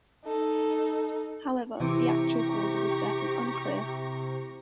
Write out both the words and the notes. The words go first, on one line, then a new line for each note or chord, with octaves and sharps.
However, the actual cause of his death is unclear.
D#4 A4
C3 E3 G4 C5 A#5 C#6 D6